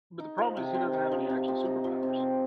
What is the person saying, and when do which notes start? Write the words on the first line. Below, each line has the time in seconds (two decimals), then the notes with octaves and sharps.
But the problem is he doesn't have any actual superpowers.
0.20 D#4
0.38 F3
0.57 C3
0.74 C4
0.93 D#4
1.12 F3
1.30 C3
1.48 C4
1.65 D#4
1.84 F3
2.03 C3
2.20 C4